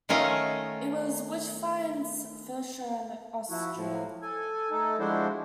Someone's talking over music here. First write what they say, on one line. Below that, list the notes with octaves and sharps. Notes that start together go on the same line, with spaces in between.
It was Witchfynde's first show in Austria.
D#3 A3 C#4 F4 D#5
F3 E4 F#4
A2 F3
A4 G#5
A3 D#4 A4
F3 G#3 D4 E4 F#4 C5